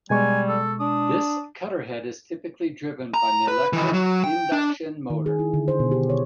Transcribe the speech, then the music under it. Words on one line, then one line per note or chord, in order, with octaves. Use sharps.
This cutter head is typically driven by an electric induction motor.
B2 G3 G#3 G#5 C#6
A4
D4 D#6
A#5
B4
D#3 E3
F#3
G5
D4
D#3
G#4
E4
D3
C5
B2
G4
C#5